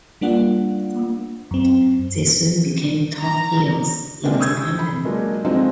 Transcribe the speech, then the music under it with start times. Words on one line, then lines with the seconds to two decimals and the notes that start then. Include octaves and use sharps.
They soon became top heels in the company.
0.21 G3 A#3 D4 F4 F#5
1.51 F#2 C4
3.20 A#5
4.24 C3 G#3 A#3 C#4 D4 G4
4.40 C#6 D#6 E6 G6 G#6
4.63 D2
4.79 B5
5.05 F#3 G#3 A#3 D4
5.44 D3 F3 F#3 G#3 C4 D#4